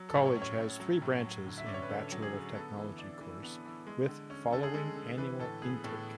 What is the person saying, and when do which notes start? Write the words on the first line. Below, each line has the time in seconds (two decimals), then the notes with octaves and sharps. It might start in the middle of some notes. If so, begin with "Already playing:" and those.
College has three branches in Bachelor of Technology course with following annual intake.
Already playing: F#3
0.09 A4
0.14 A2
0.25 C#5
0.36 C#4
0.42 C#5
0.58 A2
0.80 F#3
1.02 A2
1.24 F#3
1.46 D3
1.58 E5
1.66 C#4 D5
1.74 C#5
1.82 B4
1.89 D3 A4
2.12 F#3
2.22 G#4
2.33 D3
2.55 B3 A4
2.77 E3
2.99 D4
3.21 E3
3.43 B3
3.65 E3
3.87 G#3
4.08 D3
4.30 C#4
4.52 D3 A4
4.63 G#4
4.74 G#3 A4
4.96 D3
5.18 E3 B4
5.40 A2 A4
5.62 B3 G#4
5.84 A2 A4